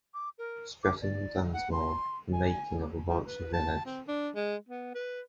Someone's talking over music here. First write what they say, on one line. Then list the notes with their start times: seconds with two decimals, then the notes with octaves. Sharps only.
"Stretton on Dunsmore: The Making of a Warwickshire Village".
0.14 D6
0.38 A#4
0.83 D6
1.02 D5
1.53 F#5
1.72 C6
2.33 G#5
3.08 F3
3.27 B4
3.53 A5
3.85 C4
4.08 D4
4.35 G#3
4.68 B3
4.95 B4